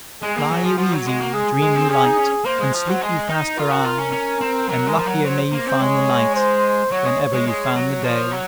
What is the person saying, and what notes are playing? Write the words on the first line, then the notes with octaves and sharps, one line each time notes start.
Lie you easy, dream you light, And sleep you fast for aye; And luckier may you find the night Than ever you found the day.
G#3 G#4
A#3
F#3
F3
F3 F#4
F#3
G#3
A#3
G#3 G#4
G#3
C4
C#4 G#4
D#4
C#4
A#3 C5
G#3
F3
F#3
G#3
D#4
F4 A#4
F#4
F4
C#4
C#4
C4
F#3 A#4
G#3
F3
F#3
F#3 C5
A#3
C4
G#3 C#5
C5
F#3 C#5
G#3
G#3
G#3 C#5
F#3
F3
F#3